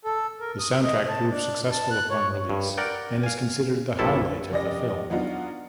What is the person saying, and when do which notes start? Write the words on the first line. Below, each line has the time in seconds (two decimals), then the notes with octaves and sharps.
The soundtrack proved successful upon release and is considered the highlight of the film.
0.05 A4
0.40 A#4
0.59 D#6
0.84 D#5
1.09 A5
1.30 D4
1.71 A5
1.91 F#6
2.10 C#5
2.49 G2
2.78 A#4 D5 F#5 G5
3.23 F5 G#5
3.99 A#1 G2 C3 E4 A4 A5
4.51 F1 C#4 D5 D#5 A#6
5.10 F#3 B3 D4 D#4 F4 F#4